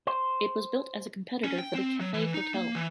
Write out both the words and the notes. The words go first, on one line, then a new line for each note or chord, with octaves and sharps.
It was built as a competitor for the Cathay Hotel.
C5
C#4
G5
C4
F#3
E3
D#4
A#3
E3